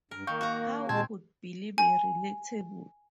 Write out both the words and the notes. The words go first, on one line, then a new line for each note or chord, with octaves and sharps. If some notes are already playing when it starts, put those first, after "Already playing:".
How could Billy be relatable?
G2 A#4
D#3 A#3 F5 C#6 G6
F#4 A#5
D#2 A#2 G#3 C4 A5 G#6
G#5